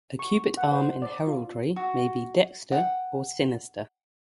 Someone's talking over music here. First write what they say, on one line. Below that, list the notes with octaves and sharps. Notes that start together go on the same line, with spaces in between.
A cubit arm in heraldry may be "dexter" or "sinister".
C#6
F#5
C5
D5
F4
F#4
F#5 G5